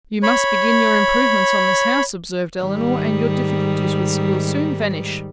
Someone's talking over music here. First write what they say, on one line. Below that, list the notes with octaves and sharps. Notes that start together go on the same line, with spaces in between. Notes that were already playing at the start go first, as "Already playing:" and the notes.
"You must begin your improvements on this house," observed Elinor, "and your difficulties will soon vanish."
C#5 B5
G#2 D#3 G3